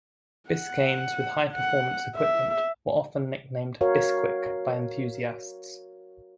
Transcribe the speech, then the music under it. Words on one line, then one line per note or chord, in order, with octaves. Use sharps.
Biscaynes with high-performance equipment were often nicknamed "Bisquick" by enthusiasts.
F#5
F#5
E5
F#4 A#4 C#5 F5